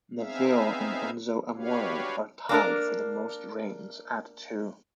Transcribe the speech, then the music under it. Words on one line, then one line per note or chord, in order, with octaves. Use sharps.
Neville and Enzo Amore are tied for the most reigns at two.
B3 C4 D#4 G#4 E5 F5
D4 F#4 G4 B4 C#5 F5
A#3 D4 A#4